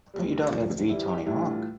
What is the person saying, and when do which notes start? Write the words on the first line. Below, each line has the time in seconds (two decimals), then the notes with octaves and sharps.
But, you don't need to be Tony Hawk.
0.14 D2 C3 G3
0.51 D2 D3 F3
0.88 G2 E3 G3 E4
1.01 G4
1.13 G4
1.26 A2 E3 G3 E4
1.39 D4
1.51 F4